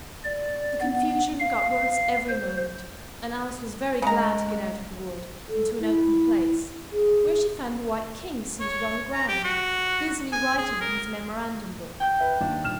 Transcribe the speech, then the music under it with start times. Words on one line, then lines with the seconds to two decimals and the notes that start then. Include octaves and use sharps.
The confusion got worse every moment, and Alice was very glad to get out of the wood into an open place, where she found the White King seated on the ground, busily writing in his memorandum-book.
0.25 D5
0.81 B3
1.40 F5
2.29 C5
4.02 C#3 G#3 A#5
5.49 A4
5.80 E4
6.92 G#4
8.60 C#5
9.13 A#5
9.28 G4
9.44 F#4
10.32 G#5
10.58 G#4
10.81 A#4
12.00 G5 G6
12.19 B4 E5
12.41 D#2 D4
12.64 D#1 F6 E7